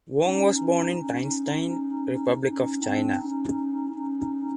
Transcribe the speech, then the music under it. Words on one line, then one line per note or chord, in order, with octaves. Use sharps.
Wong was born in Tientsin, Republic of China.
C#4 D#4
C#4 D#4
C#4 D#4
C4 D4
C#4 D#4
C#4 D#4